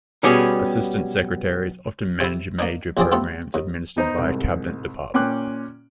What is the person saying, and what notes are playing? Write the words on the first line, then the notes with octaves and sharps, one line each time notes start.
Assistant Secretaries often manage major programs administered by a Cabinet Department.
B2 G3 B3 C#4 G4 G#4
C3 E4
A#3 D4 D#4
A#1 C3 F3 C4 G#4 D5
A3 B3 C4 F4 G4 A4
D#2
B3 D#4 C5 A#5
C2 G#2
A#2 C#4 G5 C6 D6 F#6